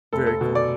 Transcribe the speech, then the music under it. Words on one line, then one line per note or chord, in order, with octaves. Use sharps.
Very cool.
F1 A4
A4
B2
D5